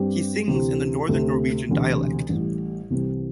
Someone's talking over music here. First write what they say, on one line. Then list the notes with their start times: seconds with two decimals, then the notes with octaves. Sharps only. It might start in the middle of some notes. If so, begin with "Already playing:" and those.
He sings in the Northern Norwegian dialect.
Already playing: G2 G3 C4 G4
0.48 D2 C3 E3
1.08 D2 C3 A3
1.69 E1 D2 C3
2.29 A1 A2 G3
2.90 C2 C3 E3